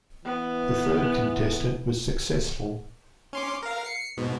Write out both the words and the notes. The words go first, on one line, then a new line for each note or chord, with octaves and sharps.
The third contestant was successful.
E3 B3
C#4 C6 D6
A#4 F5
C7 C#7
G#2 B2